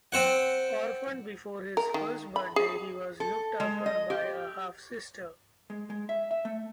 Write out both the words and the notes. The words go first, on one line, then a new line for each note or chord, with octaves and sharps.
Orphaned before his first birthday, he was looked after by a half-sister.
C4 C5 F#5
A#4
D#3
B5
G#4
A4
G#3
D#5
G4
G#3
G#3
E5
E5
A3